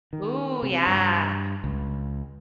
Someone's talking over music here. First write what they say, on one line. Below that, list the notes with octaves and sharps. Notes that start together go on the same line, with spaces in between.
Ooh, yeah.
D#3
C3
G2
C#2